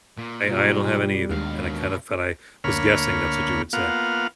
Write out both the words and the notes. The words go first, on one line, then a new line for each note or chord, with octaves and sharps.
I I don't have any either and I kind of thought I was guessing that's what you would say.
A#2
B2 G3 F4
D#2 B2 D#3 G#3 D4 F5
D2 A#3 C#5 B5 F6
A#3 B3 F4 F5 F#5